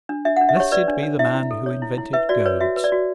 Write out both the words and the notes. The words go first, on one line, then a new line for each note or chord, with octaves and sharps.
Blessed be the man who invented goads!
D4
D4 E5
D4 F#5
E5
G4 C#5
B4 D5
D4
D4
E4 E5
E4
A4
C#5
E4
E4
B4 E5
F#4 D5
B4 C#5
F#4 E5
B4
D5
F#4